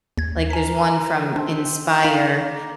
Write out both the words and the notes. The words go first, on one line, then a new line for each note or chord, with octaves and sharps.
like, there's one from Inspire
D#2 G#6
A#4 G#5 B6
C4 D4
D#4 F5 B6
A#3